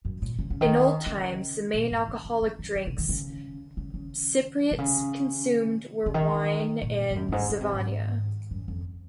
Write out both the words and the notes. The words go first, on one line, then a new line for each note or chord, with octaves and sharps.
In old times, the main alcoholic drinks Cypriots consumed were wine and zivania.
F#2
A#2
C#3
C#3
D#3
C#3
A#2
G#2
F#2
F#2
F#2
F#2
C#3
C3
D#3
C#3
C#3
C#3
C3
C#3
C#3
D#3
A#2
G#2
F#2
F#2
G#2
C#3
C3
G#2
F#2
F2